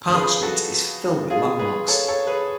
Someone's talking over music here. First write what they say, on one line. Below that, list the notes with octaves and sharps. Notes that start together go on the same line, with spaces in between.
Park Street is filled with landmarks.
C#3 F3 G#4 B4
F#4 A4
F4 G#4
G#4 B4
A4 C#5
A4 C#5
G#4 B4